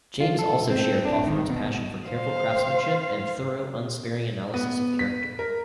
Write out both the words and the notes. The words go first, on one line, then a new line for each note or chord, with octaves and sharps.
James also shared Hawthorne's passion for careful craftmanship and thorough, unsparing analysis of character.
F4
A4
C4
D4
D#3
B2
C5 F5
B3
B6
A#4